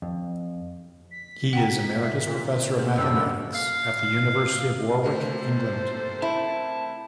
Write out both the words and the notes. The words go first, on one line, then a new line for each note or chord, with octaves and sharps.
He is Emeritus Professor of Mathematics at the University of Warwick, England.
F2
B6
F#5 G5 A#5
E5
A#2
A#3 G#4
F#2 D3 G3 E6
F5
C3 A3 A4 A#4 C5
E4 A5